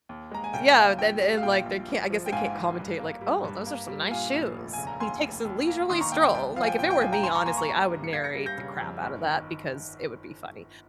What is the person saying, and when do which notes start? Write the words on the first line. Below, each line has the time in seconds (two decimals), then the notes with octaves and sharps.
Yeah, then the and, like they can't I guess they can't commentate like, "Oh, those are some nice shoes. He takes a leisurely stroll," like if it were me, honestly, I would narrate the crap out of that because it would be funny,
0.09 D#2
0.31 G#3 A#5
0.44 G#5
0.54 C#3 G5
0.76 D#2 F5
0.98 A#1 G5
1.21 G3
1.37 F5
1.43 A#2 G5
1.66 A#1
1.88 G#1
2.10 F3
2.26 G5
2.32 G#2 F5 G#5
2.55 G#1
2.77 G2
3.00 A#3
3.21 G3
3.44 G2
3.66 A#3
3.89 G3
4.11 A#2 F5 G#5
4.33 A#1
4.56 F1
4.73 C#3 G#5
4.87 A#5
5.00 D#2 G#5 C6
5.23 F1
5.45 D#2
5.67 A#3
5.89 D#3 C6 D#6
6.01 A#5 C#6
6.12 D#2 G5
6.23 G5
6.34 C2 G5
6.56 F3 F5
6.62 G#5
6.68 G5
6.79 A#2 G5
6.90 G5
7.01 C2 F5 G#5
7.13 G5 A#5
7.23 G2 G#5 C6
7.35 A#5 C#6
7.46 A#3 G#5 C6
7.57 A#5 C#6
7.68 G3 A#5 C#6
7.91 G2
8.04 C#7
8.13 A#3 G#6 C7
8.24 A#6 C#7
8.35 G3
8.46 G6 A#6
8.58 C#3
8.80 F2
9.02 G1
9.24 D#3